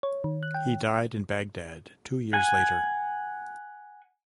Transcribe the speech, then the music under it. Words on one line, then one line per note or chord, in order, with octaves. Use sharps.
He died in Baghdad two years later.
C#5
D#3
F#6
G5
F#5 G#5